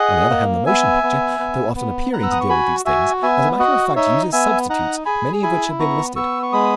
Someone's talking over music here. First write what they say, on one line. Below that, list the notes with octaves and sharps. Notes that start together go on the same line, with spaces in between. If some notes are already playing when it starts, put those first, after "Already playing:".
On the other hand, the motion picture, though often appearing to deal with these things, as a matter of fact uses substitutes, many of which have been listed.
Already playing: G#4 D#5 F#5
A#3
B3 E5 G#5
B3
B3
B3
B3 F#5 A#5
E6
D#6
C#6
F#4 G#5 B5
F#4 E5 G#5
B3 E5 G#5
F#4 D#5 F#5
D#4 C#5 E5
B3 E5 G#5
D#4 F#5 A#5
G#4 G#5 B5
E4 G#5 B5
B3 A#5 C#6
B3 C#6 E6
C#6
G#3 B5 D#6